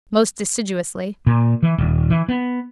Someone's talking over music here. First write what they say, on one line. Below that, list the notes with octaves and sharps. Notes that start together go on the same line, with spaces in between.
Most deciduously.
A#2
E3
D#1
E3
B3